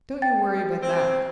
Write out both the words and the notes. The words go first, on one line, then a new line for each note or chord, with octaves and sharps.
Don't you worry about that.
G5 A6
C4